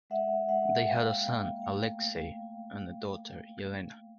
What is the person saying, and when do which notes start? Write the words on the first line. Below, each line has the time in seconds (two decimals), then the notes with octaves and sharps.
They had a son, Alexey, and a daughter, Yelena.
0.10 G#3 E5 F#5
0.48 G#3 E5 F#5
0.87 A#3 F5 G5
1.26 A#3
1.64 A3